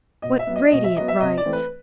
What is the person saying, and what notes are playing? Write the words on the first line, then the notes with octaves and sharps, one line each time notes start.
'What radiant rites!
B2 D#5
E5
F#3 B3
D#5
B2 D#5
E5
F#3 B3 D#5
E5
C3 D#5
D5
E3 A3 C4
B4